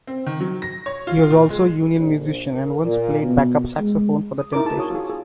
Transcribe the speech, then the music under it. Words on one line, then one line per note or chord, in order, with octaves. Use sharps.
He was also a union musician, and once played backup saxophone for The Temptations.
C4
D#3
F#3
A#6
C#5
F4
A#2
G#3
A#1
A#4
A#2
B2
G#3
D#6
D#4 E4 A#4 A#5 D6
E4 G#4 A5
F#4 G#4 C#5 D#6
F4 G#4
G#4